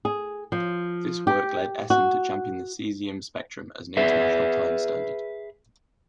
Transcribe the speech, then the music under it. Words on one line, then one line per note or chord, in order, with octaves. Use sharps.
This work led Essen to champion the caesium spectrum as an international time standard.
G#4
F3
G4
F#4
G#4 B4 E5